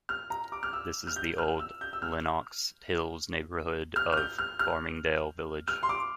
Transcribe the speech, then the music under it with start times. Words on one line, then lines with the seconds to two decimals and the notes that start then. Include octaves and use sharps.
This is the Old Lenox Hills neighborhood of Farmingdale Village.
0.09 F6
0.30 A#5
0.52 D6
0.63 F6
0.73 E6
1.07 F6
1.16 G6
1.38 F6
1.60 E6
1.81 G6
1.93 E6
2.02 F6
3.96 F6
4.12 F6
4.17 G6
4.38 F6
4.59 F6
5.68 F6
5.83 C6
5.89 D6